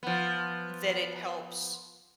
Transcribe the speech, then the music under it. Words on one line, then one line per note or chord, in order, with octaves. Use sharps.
that it helps
F3 B3